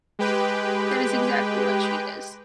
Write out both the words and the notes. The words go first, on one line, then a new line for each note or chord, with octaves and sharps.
That is exactly what she is.
G#3 G4 B4 G5